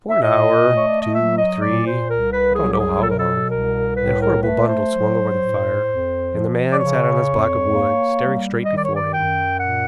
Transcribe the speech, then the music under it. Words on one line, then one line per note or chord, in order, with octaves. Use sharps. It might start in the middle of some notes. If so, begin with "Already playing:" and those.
For an hour--two, three, I don't know how long--that horrible bundle swung over the fire, and the man sat on his block of wood, staring straight before him.
E5
A#2 D#5
A3
C#5
D5
D#5
F#3 E5
D#5
A#2 D5
C5
C2 A#4
B4
F#3 G#4
G4
G#4
B2 A4
A#4
A4
C2 A#4
A2 B4
A#4
A3 B4
C5
F#3
A2
F2
F3
D5
C#3 C#5
F2
A#3
G3
D#3 D#5
D5
C#5
D5
F#2 G5
A#2 F#5